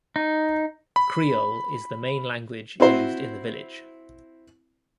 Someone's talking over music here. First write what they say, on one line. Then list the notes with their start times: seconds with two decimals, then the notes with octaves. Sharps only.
Creole is the main language used in the village.
0.16 D#4
0.96 B5
2.80 C4 E4 F#4 C5